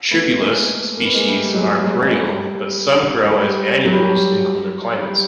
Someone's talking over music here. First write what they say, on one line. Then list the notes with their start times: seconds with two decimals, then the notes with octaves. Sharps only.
"Tribulus" species are perennial, but some grow as annuals in colder climates.
0.11 A3 B3
0.39 G#3 A#3
0.97 A#3
1.05 B3
1.14 G#3 A#3
1.26 G3 A3
1.49 A3
1.54 F#3 G#3
1.84 F#3 G#3
2.06 G#3
2.12 G3
3.22 G#3
3.28 G3
3.85 F#3
3.92 G3
4.00 F#3
5.00 G3